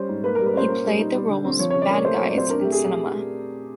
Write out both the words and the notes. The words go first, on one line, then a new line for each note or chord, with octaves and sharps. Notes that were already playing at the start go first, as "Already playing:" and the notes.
He played the roles bad guys in cinema.
Already playing: G3 C#4 C5
G#2
A#3 B4
A#4
G3
B4
C#4 C5
A#3
G3
D#4
G3
D3
C4
F3 C#5
C#5
C#3
D5
A#3 C#5
A3 C5
C#5
F#3
D5
C4 C5
D4 A#4
G4
A3
G#4